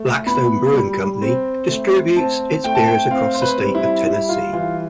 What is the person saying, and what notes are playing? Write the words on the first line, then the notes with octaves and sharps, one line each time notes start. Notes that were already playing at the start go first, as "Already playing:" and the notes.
Blackstone Brewing Company distributes its beers across the state of Tennessee.
Already playing: A3
B3 B5
G3
C4
A3
C4 A5
A3 G5
A5
G5
C4 F5
C5
B4
G3
E4
G3 E4
F4
E3 F4